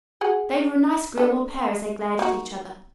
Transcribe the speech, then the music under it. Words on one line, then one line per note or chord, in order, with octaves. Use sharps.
They were a nice agreeable pair as they glared at each other.
F#4 G#4 F#5
D4 A4
A#3 D#4 F#4